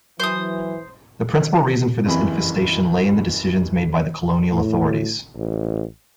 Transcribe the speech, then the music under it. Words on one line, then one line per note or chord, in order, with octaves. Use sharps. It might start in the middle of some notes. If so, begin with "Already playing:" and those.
The principal reason for this infestation lay in decisions made by the colonial authorities.
E3 F#3 C5 D#6
F#1 C2 F2 E3 B5
A2
A1